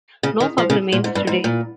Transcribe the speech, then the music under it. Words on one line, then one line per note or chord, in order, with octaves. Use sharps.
No pub remains today.
C#3
D#3
F3
C#3
A#2
G#2
G2
G#2
A#2